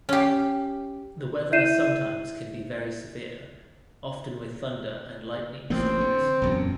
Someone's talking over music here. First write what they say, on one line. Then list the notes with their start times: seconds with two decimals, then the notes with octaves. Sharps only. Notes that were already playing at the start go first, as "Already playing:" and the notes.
The weather sometimes can be very severe, often with thunder and lightning storms.
0.09 C#4 G4
1.52 E4 E5 G6 C7 D#7 E7
5.70 A1 F3 A#3 C4
6.00 D3
6.42 E1 F#2 A#2